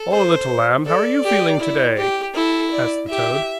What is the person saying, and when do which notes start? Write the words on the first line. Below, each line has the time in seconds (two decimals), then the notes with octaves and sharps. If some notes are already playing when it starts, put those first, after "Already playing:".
"O, little lamb, how are you feeling today?" asked the toad.
Already playing: A4
0.11 C5
0.86 A4 D5
1.23 G4
1.59 E4
1.97 G4
2.35 E4 A4
2.72 D5
3.09 G4 E5